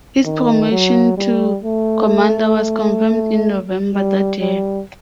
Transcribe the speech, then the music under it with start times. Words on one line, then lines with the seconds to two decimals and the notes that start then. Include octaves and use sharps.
His promotion to Commander was confirmed in November that year.
0.25 D#3
0.71 F#3
1.17 G3
1.63 A3
3.94 G3
4.41 G3